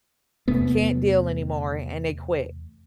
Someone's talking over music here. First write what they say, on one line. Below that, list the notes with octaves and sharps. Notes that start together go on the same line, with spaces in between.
can't deal anymore, and they quit.
E2 C3 A3 B3